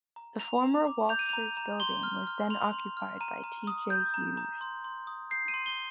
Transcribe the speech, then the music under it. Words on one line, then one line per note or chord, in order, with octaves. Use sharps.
The former Walsh's building was then occupied by T J Hughes.
A#5
A#5 F7
A#5
D6
G6 F7
D#7
A#5 F7
A#5
C6 G7
F6
F6
C6 F7
C6
F6
A#5 D#7
A#5
D#6
G6
A#5
A#5
C6
C6
D#6
G6 C7
D#7
C6
G7